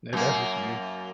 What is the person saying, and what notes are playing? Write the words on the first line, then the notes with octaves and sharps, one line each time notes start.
Tha that's just me.
F#2 A#3